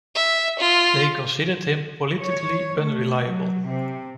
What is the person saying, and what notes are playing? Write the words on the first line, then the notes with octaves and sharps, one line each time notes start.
They considered him politically unreliable.
E5
F4
C#5
A3
F#3
C3